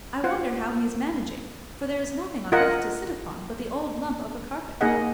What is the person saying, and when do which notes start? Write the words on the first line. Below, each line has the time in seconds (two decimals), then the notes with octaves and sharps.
I wonder how he is managing, for there is nothing on earth to sit upon but the old lump of a carpet.
0.24 F4 C5 F#5
2.52 F4 A#4 D#5 F#5
4.81 A#3 D#4 G#4 D#5 F#5